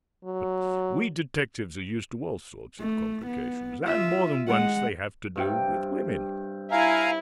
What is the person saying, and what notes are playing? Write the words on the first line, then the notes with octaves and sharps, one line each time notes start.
But we detectives are used to all sorts of complications, and, more than once, they have to do with women.
F#3
A3
B3
F4 E5
G#3 F#5
G2 C3 G5
E4 F5 G#5 A#5